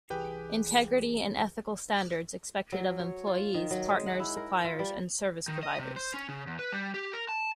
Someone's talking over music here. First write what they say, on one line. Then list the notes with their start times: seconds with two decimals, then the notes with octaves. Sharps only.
Integrity and ethical standards expected of employees, partners, suppliers and service providers.
0.10 C2 E3 G4 G#4 B4 G5
2.72 F#3
2.99 C#5
3.27 F4
3.54 D#3
3.71 F#3
3.89 G#3
4.06 F#5
4.20 E4
4.37 A#4
4.64 F4
4.79 G3
5.48 D#3
5.63 D#5
5.79 C3
5.96 C5
6.14 C#4
6.29 C#3
6.47 E2
6.59 B4
6.72 G3
6.94 G4
7.13 A#4
7.29 A5